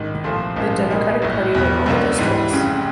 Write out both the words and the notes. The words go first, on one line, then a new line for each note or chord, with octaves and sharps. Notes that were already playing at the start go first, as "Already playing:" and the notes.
The Democratic Party won all the districts.
Already playing: A1 G#2 D#3
C2 A#2 F3 A3 C4
A#1 G#2 F3 A#3 C#4
C2 A#2 G3 A#3 D#4
A#1 A2 F#3
E2 B2 G3
C#2 B2 F#3 A#3 D4
G#2 E3 G3
F1 F2 C#3